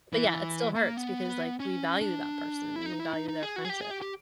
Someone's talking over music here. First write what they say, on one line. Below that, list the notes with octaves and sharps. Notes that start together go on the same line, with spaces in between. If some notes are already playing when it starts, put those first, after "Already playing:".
But yeah, it still hurts because, like, we value that person and we value their friendship.
E3
A#3
B3
C#4
D4
E4
D#4
E4
D#4
D#4
G#4
F#4
G#4
G4
G#4
G4
G4